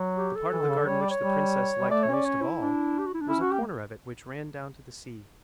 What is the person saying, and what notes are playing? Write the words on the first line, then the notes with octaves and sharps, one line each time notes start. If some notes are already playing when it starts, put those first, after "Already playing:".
The part of the garden which the princess liked most of all was a corner of it which ran down to the sea.
Already playing: F#3
G4
A4
E3
D3
C#3
D3
G3 C#5
D5
C#5
G3
G3
A3 D5
C#5
C#4
D5
C#5
E4
D4
G4
F#4
E4
D4
C#4 E4
F#4
G4
A3